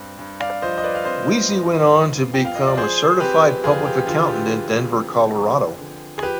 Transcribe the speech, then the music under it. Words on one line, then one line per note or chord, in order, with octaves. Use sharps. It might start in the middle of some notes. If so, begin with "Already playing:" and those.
Weese went on to become a Certified Public Accountant in Denver, Colorado.
Already playing: G2 C4
G2
D5 F5
F3 C5 D#5
D#5
B4 D5
F5
C4 C5 D#5
G2
G2
F3 G5
F5
D#5
D5
F3 G#4 C5
C4 G4 B4
F2 F4 G#4
G4
D3 F4
G4
F3
C4
F2
D3
G#4
F3 G4 B4